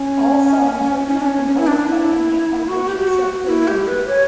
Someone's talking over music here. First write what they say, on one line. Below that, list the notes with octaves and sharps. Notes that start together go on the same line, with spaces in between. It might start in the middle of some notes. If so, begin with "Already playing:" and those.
All songs written and composed by Andy Partridge, except where noted.
Already playing: C#4
C#4
D4
C#4
C#4
E4
D4
E4
F#4
G4
G4
F#4
E4
G4
B4
C#5